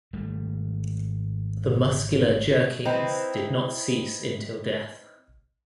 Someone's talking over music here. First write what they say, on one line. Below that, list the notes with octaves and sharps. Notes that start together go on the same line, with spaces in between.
The muscular jerkings did not cease until death.
G#1 G3 A3
C4 D#4 E4 B4